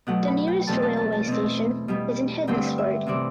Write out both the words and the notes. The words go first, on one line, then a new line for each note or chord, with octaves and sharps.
The nearest railway station is in Hednesford.
B2 F#3 A3 F#5
B5
G5
E2 B2 A3 C4 A5
A5
A5
A5
B2 A3 C4
B2 G3 B3
G2 D3 A3 C4 G5
E5
C3 E3 G3 C4 D5